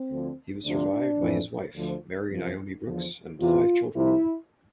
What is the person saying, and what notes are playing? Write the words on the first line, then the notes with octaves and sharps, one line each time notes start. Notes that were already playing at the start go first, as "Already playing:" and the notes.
He was survived by his wife, Mary Naomi Brooks, and five children.
Already playing: C4
D2 D3 F3
D2 C3 F3 D4
F2 E3
D2 D3 F3
F2 C3 F3
E2 D3 F3
E2 C3 E3 F4
C2 C3 F3 E4